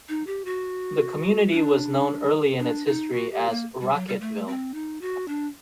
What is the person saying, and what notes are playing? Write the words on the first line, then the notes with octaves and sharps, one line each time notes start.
The community was known early in its history as Raquetteville.
D#4
G4
F#4
D4
D4
D#4
F#4
G4
A#3
G3
F#3
G3
A3
C4
D#4
F#4
D4